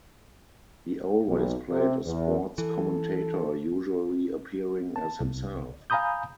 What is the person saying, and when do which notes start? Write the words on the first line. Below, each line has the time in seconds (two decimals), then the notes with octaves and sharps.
He always played a sports commentator, usually appearing as himself.
1.28 B1
1.69 C3
2.05 E2
2.58 E3 A4
4.96 A5
5.20 C2
5.90 F5 G#5 A#5 B5 D#6 G6